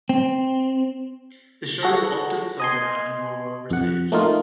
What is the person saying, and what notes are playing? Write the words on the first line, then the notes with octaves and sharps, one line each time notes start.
The shows were often sold out and were well received.
C4
F#4 G#4 A4 A#6
D#5 G#5 C6
F2 F#5
A3 A#3 D#4 F4